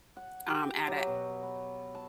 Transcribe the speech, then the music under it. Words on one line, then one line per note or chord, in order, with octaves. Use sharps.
um, at at
F#5
G4
F#3
B2
B3
A5